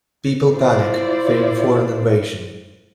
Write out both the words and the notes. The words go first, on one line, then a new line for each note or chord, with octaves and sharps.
People panic, fearing foreign invasion.
E4 F4 C5 D5